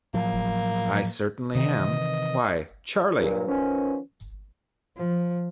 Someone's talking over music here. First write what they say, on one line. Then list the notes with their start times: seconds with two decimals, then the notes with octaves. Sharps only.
I certainly am — why, Charlie!
0.14 A2 F3 F#3 A#3
1.55 C3 D#3 E3 D#5
3.19 G2 A#2 F#3
3.48 D#3 F3 B3 C#4
4.97 F3